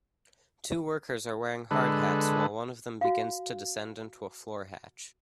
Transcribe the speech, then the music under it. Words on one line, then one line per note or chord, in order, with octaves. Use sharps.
Two workers are wearing hard hats while one of them begins to descend into a floor hatch.
D3 G#3 A4 B4
F#4 F5